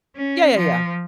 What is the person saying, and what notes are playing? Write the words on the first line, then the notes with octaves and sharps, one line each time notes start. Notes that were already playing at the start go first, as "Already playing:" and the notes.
Yeah, yeah, yeah.
C#4
F3